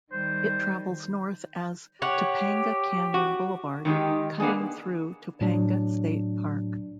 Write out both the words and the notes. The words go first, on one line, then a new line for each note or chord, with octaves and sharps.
It travels north as Topanga Canyon Boulevard, cutting through Topanga State Park.
D#3 G3 C5
G4 C#5 F#5
F#4
D#3 G#3 D4 D#4 G4
A#3 B3 D4 G#4
A2 F#3 D4